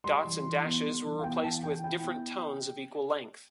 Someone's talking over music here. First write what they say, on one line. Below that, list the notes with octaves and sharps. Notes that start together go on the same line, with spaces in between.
Dots and dashes were replaced with different tones of equal length.
G3 C6
E3
E3
B3
G3
E3
F5
B3 G5
E3 A5
E3 G5
E4 G5
B3